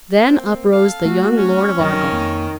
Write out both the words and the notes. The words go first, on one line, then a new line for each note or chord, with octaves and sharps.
Then uprose the young Lord of Arkell.
A#3 C4
A4 F5
A3 F#4
C4 C#4
G2 D#3 F#3
F2 A#3